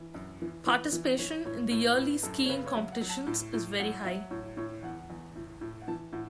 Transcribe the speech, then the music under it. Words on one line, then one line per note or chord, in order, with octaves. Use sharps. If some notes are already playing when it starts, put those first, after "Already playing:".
Participation in the yearly skiing competitions is very high.
Already playing: E3
F#2
E3
E3 B4
E3
E3 C#5
A2 C#5
A2 C#5
A2 B4
F#2 A4
C#5
C#3 B4
C#5
F#3 E5
F#5
F#3
A5
A2
A2
F#3 F#5
F#3 E5
A2 C#5
A2 C#5
E2 F#5
E2
A2
A2
F#5
E3 A5
A2 F#5